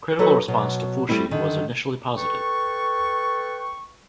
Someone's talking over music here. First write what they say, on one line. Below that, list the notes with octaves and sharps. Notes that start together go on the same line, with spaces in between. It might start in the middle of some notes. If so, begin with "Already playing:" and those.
Critical response to Fushi was initially positive.
F#3 D#4 F#4 A4 B4
B2 F#3
G3 A3 C4 E4
D3 D#3
A4 B4 G5 C#6